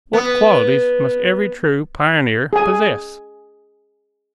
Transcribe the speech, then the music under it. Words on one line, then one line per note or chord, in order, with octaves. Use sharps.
What qualities must every true pioneer possess?
B3
G#4 G#5